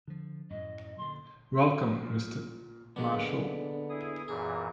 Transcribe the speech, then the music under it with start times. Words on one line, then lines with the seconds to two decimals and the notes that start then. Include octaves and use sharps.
Welcome Mr. Marshall!
0.08 D3 F3
0.50 F#2 A2 F#3 D#5
0.98 A#2 D3 C6
2.03 A#2
2.96 D3 G#3 A#3 B3 D4
3.90 E4 G#4 D#6
4.28 F#2 A#2 E3 G#4